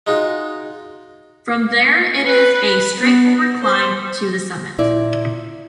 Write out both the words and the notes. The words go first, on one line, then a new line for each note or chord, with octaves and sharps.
From there it is a straightforward climb to the summit.
G#3 D#4 F4 F#4
B4
B3
C5
A#2 E4 D5